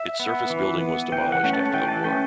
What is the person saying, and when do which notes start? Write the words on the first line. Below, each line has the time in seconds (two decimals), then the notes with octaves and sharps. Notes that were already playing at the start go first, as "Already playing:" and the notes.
Its surface building was demolished after the war.
Already playing: E5
0.20 B3
0.50 E3
0.81 B3
1.12 E3 G5
1.32 F#5
1.43 A3 C#4
1.53 A5
1.74 E3 G5
1.88 A5
2.04 A3 C#4 G5